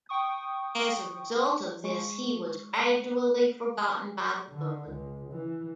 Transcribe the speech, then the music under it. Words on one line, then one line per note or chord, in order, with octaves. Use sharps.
As a result of this he was gradually forgotten by the public.
G5 C#6 D#6
G#3 C#6
D3
C#2
E3